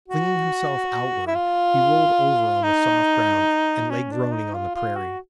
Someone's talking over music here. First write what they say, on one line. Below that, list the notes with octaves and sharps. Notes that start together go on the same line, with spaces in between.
Flinging himself outward, he rolled over on the soft ground, and lay groaning on the prairie.
F#4
E4
F4
D#4
C#4
D4
D#4
F4
F4
F#4